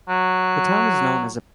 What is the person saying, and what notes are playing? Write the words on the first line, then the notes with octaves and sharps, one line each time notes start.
The town is known as a balneologic and climatic resort.
F#3